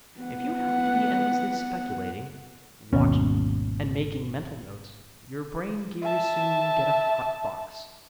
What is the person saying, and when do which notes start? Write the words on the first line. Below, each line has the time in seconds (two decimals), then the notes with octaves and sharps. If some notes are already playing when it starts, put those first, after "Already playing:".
If you have to be endlessly speculating, watching, and making mental notes, your brain-gears soon get a hot box.
0.20 B3 F#5
2.93 G#1 D#2 B2 C#4
6.02 E5 A5